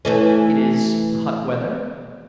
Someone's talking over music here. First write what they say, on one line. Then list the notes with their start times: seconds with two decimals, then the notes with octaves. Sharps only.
It is hot weather.
0.05 E3 A3 C#4